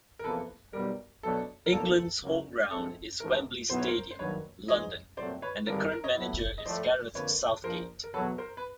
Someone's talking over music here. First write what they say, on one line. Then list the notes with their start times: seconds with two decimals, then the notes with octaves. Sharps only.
England's home ground is Wembley Stadium, London, and the current manager is Gareth Southgate.
0.19 A#4
0.24 E2 C3 F3 A#3 A4 B4
0.73 B1 B2 G3 A#4
1.23 B2 F#3 A3 D4 A4
1.66 A#4
1.72 B1 A2 F3 A#3 A4
2.21 C#2 C#3 F#3 A#3 C#4
2.71 A#1 A2 F3 G#3 C4 A4
3.20 A1 G#2 E3 A3 A#4
3.69 B1 B2 F#3 B3 E4 C5
3.79 C#5
3.87 A#4 C5
4.11 C5
4.19 G2 D#3 F#3 A#3 B4 C#5
4.68 G#2 E3 G#3 C#5 D#5
5.17 C2 A#2 F#3 A3 C4 C5 D5
5.42 B4 C#5
5.66 G#1 G2 D3 G3 A#4
5.79 A#4
5.91 A#4
6.04 C#5 D#5
6.16 A2 F#3 B3 E4
6.58 D#5
6.65 A2 F3 A3 C5 D5
7.14 F2 D3 F3 A#3 B4 C#5
7.64 A#1 A#2 F3 A#4 C5
8.04 A#4
8.14 E2 B2 F#3 A4 B4
8.38 A#4 C5
8.57 B4